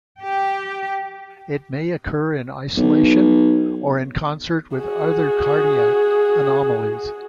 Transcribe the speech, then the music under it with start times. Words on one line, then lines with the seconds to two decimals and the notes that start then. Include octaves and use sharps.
It may occur in isolation or in concert with other cardiac anomalies.
0.20 G4 G5
2.77 B1
4.77 F#4 G#4